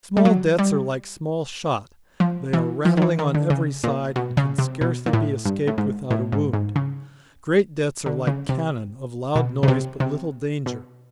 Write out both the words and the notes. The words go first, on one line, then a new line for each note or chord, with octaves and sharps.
Small debts are like small shot; they are rattling on every side, and can scarcely be escaped without a wound: great debts are like cannon; of loud noise, but little danger.
G3
F#3
G3
F3
E3
F3
D#3
E3
D#3
D3
C#3
A#2
B2
C#3
C3
B2
A#2
A2
G2
A2
G#2
A2
G#2
G#2
C#3
D3
C#3
C3
B2
C#3
C3
C3
B2